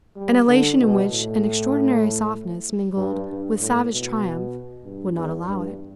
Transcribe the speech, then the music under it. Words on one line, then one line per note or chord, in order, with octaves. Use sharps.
An elation in which an extraordinary softness mingled with savage triumph would not allow it.
G3
D3
B2
A2
G2
G2
A2
B2
G2
E2
G2